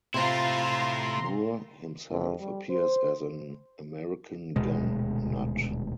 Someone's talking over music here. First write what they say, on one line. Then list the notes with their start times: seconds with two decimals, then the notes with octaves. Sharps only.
Moore himself appears as an American gun nut.
0.14 C3 A3 E4 F4 A#5 C6
2.11 F2
2.40 G3
2.70 C5
4.56 D#1 D2 B2 G#3